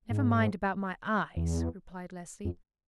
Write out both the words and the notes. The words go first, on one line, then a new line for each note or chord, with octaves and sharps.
"Never mind about my eyes," replied Leslie.
G#2
E2
F2